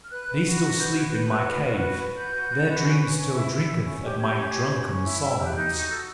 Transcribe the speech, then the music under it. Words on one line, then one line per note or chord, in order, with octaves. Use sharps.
They still sleep in my cave; their dream still drinketh at my drunken songs.
F6
B4 F#6
B4
F#4
F#4
B4 G6
B4 G#6
G#6
B4 G6
F#4 F#6
B4 F6
F#4 F6
F6
B4 F#6
B4
F#4 G6
F#4
F#4
B4
C#4
C#4
C#4
E4
E4
E4
C#4
G4
G4 G#6
G6
C#4 G#6
G4
C#4
C#4
E4
E4
E6
G4 F6
F#6
D#4 G6
F#4
A4